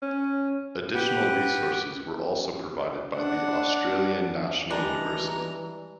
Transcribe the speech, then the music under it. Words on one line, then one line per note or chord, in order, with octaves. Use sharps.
Additional resources were also provided by The Australian National University.
C#4
G4 B4 F#5 G5
D4 F#5
E3 G3 G#3 D4 G4 A#5